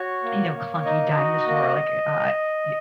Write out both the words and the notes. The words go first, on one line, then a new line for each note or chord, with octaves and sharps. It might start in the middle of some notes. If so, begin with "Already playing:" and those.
you know, clunky dinosaur, like, uh, uh, y
Already playing: F#4 C#5
A#3
A#3
D#4 D#5
F#4
A#3